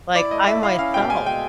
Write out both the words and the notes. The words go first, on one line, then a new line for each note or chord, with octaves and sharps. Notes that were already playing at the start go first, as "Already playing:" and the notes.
Like, I myself
E4 D5
A3 D#5
E4 E5
E4 F5
C#4 F5
B2 G5
G#3 G#5
B2 G5